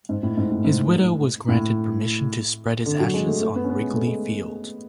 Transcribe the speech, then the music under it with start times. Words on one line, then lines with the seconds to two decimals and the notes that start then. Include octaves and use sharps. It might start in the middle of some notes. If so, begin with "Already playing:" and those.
His widow was granted permission to spread his ashes on Wrigley Field.
0.09 G#2
0.23 A2
0.37 G#2
0.51 A2
0.64 G#2
1.48 A2
2.86 D3
3.00 F#3
3.14 G#3
3.28 A3
3.41 A3
3.56 B3
3.64 C#4
3.70 B3
3.83 G#3
3.94 A3
4.07 G#3